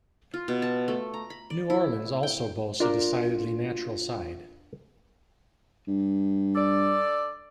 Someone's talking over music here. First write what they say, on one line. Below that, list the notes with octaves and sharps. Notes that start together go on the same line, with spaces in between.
New Orleans also boasts a decidedly natural side.
F4
B2
A5
A3
A#5
B5
D5
E4
G5
D4 F4 A#4 D5
G2
A4 D5